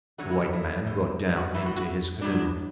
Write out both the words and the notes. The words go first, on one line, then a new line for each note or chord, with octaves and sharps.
The white man got down into his canoe.
E2 D3 F#3 F#4
E4
A4
E4
E2 E3
F#4
A2 E3 E4
F#4
F#4
E2 B2 F#3 D4